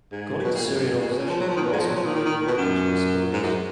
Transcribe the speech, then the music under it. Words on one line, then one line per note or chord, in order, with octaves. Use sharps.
According to Syrian opposition, the vast majority of the victims were civilians.
G#2
B2
A#2
G#2
F#2
G#2
A#2
B2
C#3
F3
F#3
F3
D#3
B2
G#2
F3
F#3
F3
D#3
D#3
D#3
B2
F#2
G#2
F#2